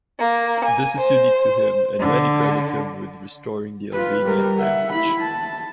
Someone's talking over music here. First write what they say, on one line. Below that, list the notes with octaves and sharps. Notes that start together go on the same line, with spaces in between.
This is unique to him and many credit him with restoring the Albanian language.
A#3
G#5
C5
D3
F4 B4
G3 A#4
E5 F#5
E4 B5
A5